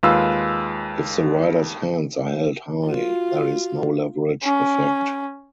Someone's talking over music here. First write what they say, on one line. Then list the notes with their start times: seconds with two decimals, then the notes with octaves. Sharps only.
If the rider's hands are held high, there is no leverage effect.
0.03 D#2 G#3 F4 B4 E6
2.89 F4 F#4
4.44 C#4